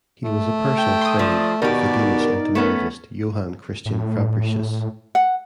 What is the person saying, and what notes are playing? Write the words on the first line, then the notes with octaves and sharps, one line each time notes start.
He was a personal friend of the Danish entomologist Johan Christian Fabricius.
A3
G5
C6 D#6
F3 D5
B2 D#3 D#4 G4 A#4 D5
A3 B3 C#4
A2
F#5